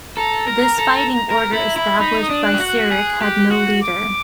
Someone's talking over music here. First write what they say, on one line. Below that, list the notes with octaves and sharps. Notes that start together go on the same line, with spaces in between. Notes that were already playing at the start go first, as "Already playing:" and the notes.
This fighting order established by Cyric had no leader.
A4 A#5
A#4
A4
A#4
E4
E4
D#4 B5
D#6
D4
F#6
G4
F#4
F#6
G#4
G4
F#4
D6